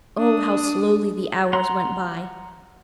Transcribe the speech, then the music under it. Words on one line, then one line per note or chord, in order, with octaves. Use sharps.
Oh, how slowly the hours went by!
D4 D#6
F#5 A#5 C6 F#6